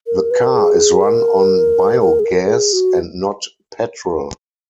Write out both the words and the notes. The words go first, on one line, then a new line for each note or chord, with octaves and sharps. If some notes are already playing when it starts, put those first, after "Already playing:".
The car is run on biogas and not petrol.
A#4
B4
A#4
G#4
A#4
A#4
G#4
A#4
G#4
F#4